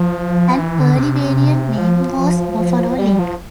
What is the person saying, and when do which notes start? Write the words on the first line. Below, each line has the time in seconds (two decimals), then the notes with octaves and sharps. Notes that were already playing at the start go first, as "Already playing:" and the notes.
An early variant name was "Buffalo Lick".
Already playing: F3
0.58 E3
0.79 D3
0.98 C3
1.78 F3
2.99 G3
3.19 F3